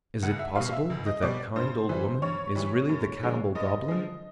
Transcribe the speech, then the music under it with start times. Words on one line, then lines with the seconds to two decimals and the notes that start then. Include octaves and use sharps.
Is it possible that that kind old woman is really the cannibal goblin?
0.22 C#2 F#5
0.39 E5
0.55 B2 G3 F5
0.73 E5
0.90 C#2
1.06 D#5
1.22 B2 G3 D5
1.56 G2 C5
1.89 E3 G3
2.22 G2 C#5
2.55 E3 G3
2.89 F#2
3.23 D3 F3 G#3
3.55 F#2 D#5
3.88 D3 F3 G#3